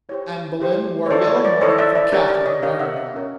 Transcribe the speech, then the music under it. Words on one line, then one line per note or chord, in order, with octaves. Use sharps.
Anne Boleyn wore yellow mourning for Catharine of Aragon.
E4 G4 C5 C#5
E4 G4 C5
C#5
E4 A4 C5 D5
C#5
C#5
D5
E4 A4 C5 C#5 D#5
D5 E5
D5 E5
D4 G4 A#4 C#5 D5
D5
C#5 D#5
D4 G4 A#4 C#5 D#5 F5
E5 F#5
D#5 F5
C#4 F4 A#4 C#5